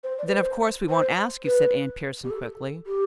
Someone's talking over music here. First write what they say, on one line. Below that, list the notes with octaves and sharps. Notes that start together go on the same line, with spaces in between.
"Then, of course, we won't ask you," said Anne Pierson quickly.
C5
D5
B4
C5
C5
B4
G4
A4
G4